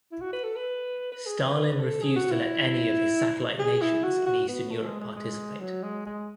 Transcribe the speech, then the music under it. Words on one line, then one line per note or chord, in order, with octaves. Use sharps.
Stalin refused to let any of his satellite nations in Eastern Europe participate.
E4
F#4
B4
A4
B4
B4
G#4
B4
B4
A4
G#4
F#4
E4
G#4
E4
F#4
F#4
B3
A3
G#3
G#3
G#3
F#3
G#3
G#3